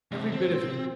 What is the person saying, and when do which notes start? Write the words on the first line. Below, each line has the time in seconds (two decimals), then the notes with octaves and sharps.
Every bit of him.
0.11 G2 C3
0.32 C4